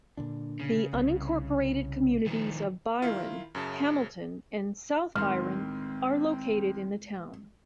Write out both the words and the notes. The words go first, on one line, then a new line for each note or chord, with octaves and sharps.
The unincorporated communities of Byron, Hamilton, and South Byron are located in the town.
A#2 D3 D4
C#3
C2
D#3 F3
D#3 E4 F4
F#2 C#3 A5
A1 D#3 G#3 C4 C6 F6